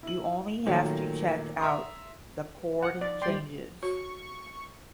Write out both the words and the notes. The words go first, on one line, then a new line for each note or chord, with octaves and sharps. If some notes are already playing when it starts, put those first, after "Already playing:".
You only have to check out the chord changes.
E4 F#7
A#2 D#3 F#3 A3
E5 A#5 C6 D#6
B4
F#5
F3 D#4 F4 D5
A#2 G3 D5 G5 C6
F#4 C#5 C#6